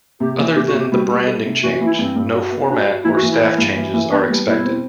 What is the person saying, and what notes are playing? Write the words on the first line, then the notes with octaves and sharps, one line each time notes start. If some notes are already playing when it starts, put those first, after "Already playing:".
Other than the branding change, no format or staff changes are expected.
C3 G4
E3
C3 G4
F#4
C3
G4
G3 F#4
G3
A4
C3
E3 F#4
F#4
E3
E4
G2 C4
G2
F#4
B3
D4 F#4
F#4
E3 E4
F#4
E3
E4
E3
G2
E3
E3
B3 D4
G3
B2 E4
C4